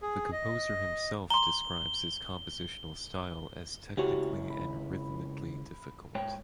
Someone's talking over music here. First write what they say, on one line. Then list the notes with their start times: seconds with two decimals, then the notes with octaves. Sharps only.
The composer himself describes his compositional style as technically and rhythmically difficult.
0.02 G#4
0.32 D#5
1.30 A#5 C6 G7
3.97 C#2 E4 F#4 G4 C#5
4.50 B5
6.15 G#2 C#5 G5